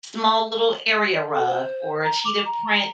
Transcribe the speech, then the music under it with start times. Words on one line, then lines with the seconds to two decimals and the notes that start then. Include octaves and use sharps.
small little area rug or a cheetah print
1.14 D5
1.27 A4
1.47 C5
2.04 A#5
2.25 D6
2.45 A#5